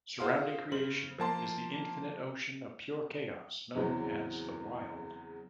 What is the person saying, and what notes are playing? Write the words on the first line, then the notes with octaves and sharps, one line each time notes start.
Surrounding Creation is the infinite ocean of Pure Chaos known as the Wyld.
F4 F#4 G#4 C5 F5
C#3 C5 F#7
F3 A#3 A5 C6
E2 C#3 E3 F#3 C4